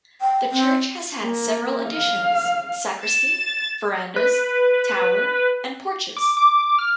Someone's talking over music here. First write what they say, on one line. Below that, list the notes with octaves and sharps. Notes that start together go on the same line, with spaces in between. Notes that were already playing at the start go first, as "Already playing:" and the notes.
The church has had several additions: sacristy, verandas tower and porches.
G5
C4
A#3
F5
A6 E7
B4
D6
D6
F6